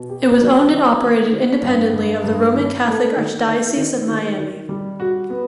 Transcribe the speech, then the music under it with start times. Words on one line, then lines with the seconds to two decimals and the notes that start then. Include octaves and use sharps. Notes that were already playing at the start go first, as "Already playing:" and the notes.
It was owned and operated independently of the Roman Catholic Archdiocese of Miami.
Already playing: B2
0.09 G4
0.41 F#3
0.71 D#3
1.02 D#3
1.32 D#3
1.63 G2
1.93 G2
2.24 G2
2.55 D#3
2.86 A3
3.16 D#3
3.47 D#3
3.77 D#3
4.07 D#3
4.38 D#3
4.69 G3
5.00 F#4
5.30 B3